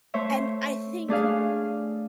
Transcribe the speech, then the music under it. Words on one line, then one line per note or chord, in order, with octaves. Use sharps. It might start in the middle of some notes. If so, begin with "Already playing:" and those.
and I think
A3 C5 C#5 E5
A3 D4 G#4 F5